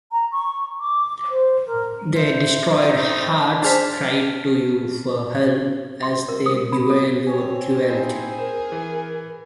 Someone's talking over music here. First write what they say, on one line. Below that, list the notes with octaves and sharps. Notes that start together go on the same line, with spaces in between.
Their destroyed hearts cry to you for help as they bewail your cruelty.
A#5
C#6
D6
C5
A#4
E4 C5
C4 D#4
D4 G#4 C5 A5 F6 B6
C6
A#4
D#6
B5
A4
C4 C#5 G#5
D#4 E4 G#4 C5
A#4 C5
E3